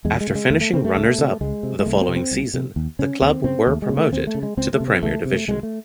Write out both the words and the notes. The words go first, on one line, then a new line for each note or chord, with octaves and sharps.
After finishing runners-up the following season, the club were promoted to the Premier Division.
E2 G#3
F#3
G#3
C#3 A3
G#3
E2 A3
A3
C#3 C4
A3
C#2
C3
C#2 G#3
C3
G#3
C2 A3
C4
C3
C4
C2
C3
D#2
C#3 C#4
D#2 C4
C#3 C4
D#2 A3
G#3
C#3
A3
D#2 C4
A3
C#3
G#3
C#2 C4
A3
C3
C4
C#2 A3
C3
A3
C2 G#3
A3